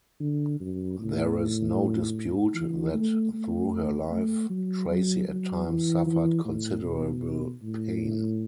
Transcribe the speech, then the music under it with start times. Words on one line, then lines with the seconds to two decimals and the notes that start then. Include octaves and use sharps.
There is no dispute that through her life, Tracy at times suffered considerable pain.
0.20 D3
0.60 F#2
0.99 A2
2.55 E3
2.94 A3
3.33 A3
4.11 A3
4.50 F#3
4.89 F#3
5.28 F#3
5.66 E3
6.06 E3
6.45 A2
6.84 B2
7.62 A2